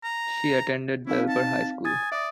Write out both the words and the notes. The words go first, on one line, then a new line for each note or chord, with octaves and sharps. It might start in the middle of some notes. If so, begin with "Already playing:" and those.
She attended Belper High School.
A#5
C4 D#4 E4 F5
A5
G#5 D#6 A6
D5 E5 D#6